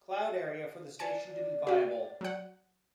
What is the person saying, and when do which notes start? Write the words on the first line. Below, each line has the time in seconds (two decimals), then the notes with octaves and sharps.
Cloud area for the station to be viable.
0.99 D5 G#5 A5 C#7
1.67 F#4 G4
2.21 F#3 F#5